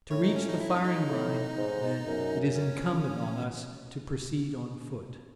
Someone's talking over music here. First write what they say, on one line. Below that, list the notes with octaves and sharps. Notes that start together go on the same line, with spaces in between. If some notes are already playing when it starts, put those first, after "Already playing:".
To reach the firing-line, then, it is incumbent on us to proceed on foot.
A2 C#5
D#4
C#4
D#4
E4
D#4
C#4
D#4
A2
G#2
F#2
C#4